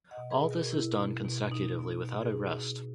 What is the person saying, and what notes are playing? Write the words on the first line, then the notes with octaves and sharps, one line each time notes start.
All this is done consecutively without a rest.
D#5 F#5
B2
G#4 B4
B2
F#4 A#4
B2 E4
B2
B2
B2 D#4
B2
B2
G#4
B2 D#4 F#4
B2